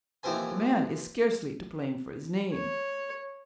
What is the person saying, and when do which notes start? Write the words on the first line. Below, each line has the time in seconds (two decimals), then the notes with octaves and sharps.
The man is scarcely to blame for his name.'
0.23 D#2 E3 F3 C4 C5 G#5
2.53 C#5